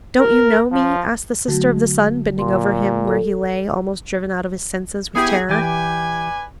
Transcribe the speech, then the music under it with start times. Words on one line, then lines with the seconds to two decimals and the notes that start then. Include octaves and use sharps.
'Don't you know me?' asked the Sister of the Sun, bending over him where he lay, almost driven out of his senses with terror.
0.20 A#4
0.72 F3
1.48 D3 F#3 A3 F#4
2.39 A#2 C6
3.07 A4
5.15 B3 E4 G4 G#4
5.49 E3 G4 B4 D5 G#5